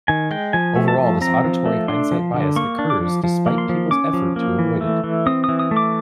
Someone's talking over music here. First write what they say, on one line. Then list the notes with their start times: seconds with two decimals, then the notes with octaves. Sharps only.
Overall, this auditory hindsight bias occurs despite people's effort to avoid it.
0.08 D#3 G#5
0.31 G#3 G5
0.53 F3 G#5
0.76 A3
0.88 A5
0.98 F3
1.21 C4 A#5
1.44 F3
1.66 A3
1.88 D4 C6
2.12 F3
2.34 D3
2.56 A#3 C#6
2.79 D4
2.90 D6
3.01 F3
3.24 F3
3.46 A#3
3.58 C6
3.69 F3
3.91 C#4 D6
4.14 F3
4.36 A#3
4.59 E3
4.81 A3
5.04 E3
5.26 C4 D#6
5.44 E3 D#6
5.59 D#6
5.71 A3
5.77 D6